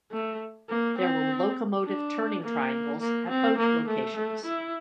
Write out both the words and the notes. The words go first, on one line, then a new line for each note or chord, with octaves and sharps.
There were locomotive turning triangles at both locations.
A3
A#3
C4
D4
A#3
A#3
C4
A#3
A3
A3
E4